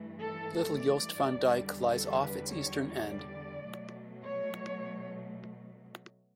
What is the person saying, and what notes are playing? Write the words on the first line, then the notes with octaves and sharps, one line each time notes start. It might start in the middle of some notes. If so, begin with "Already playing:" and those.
Little Jost Van Dyke lies off its eastern end.
Already playing: G2 E3 A3
A4
D5
E2 D3 G3
A4
B4
C#5
D5
B2 F#3 A3
C#5